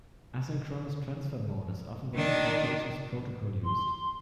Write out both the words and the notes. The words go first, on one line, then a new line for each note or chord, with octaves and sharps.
Asynchronous Transfer Mode is often the communications protocol used.
D#3 D4
C6